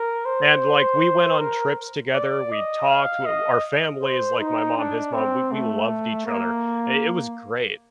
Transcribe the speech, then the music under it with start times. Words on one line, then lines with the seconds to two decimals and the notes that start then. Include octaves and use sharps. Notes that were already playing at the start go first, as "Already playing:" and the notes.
And, like, we went on trips together, we talked, w our family is like my mom, his mom- we we loved each other. I It was great.
Already playing: A#4
0.26 C5
1.39 A#4
2.13 D5
2.52 D#5
2.89 F5
3.26 D#5
4.02 C5
4.39 D#4
4.77 D4
5.14 C4
5.52 A3
6.26 A#3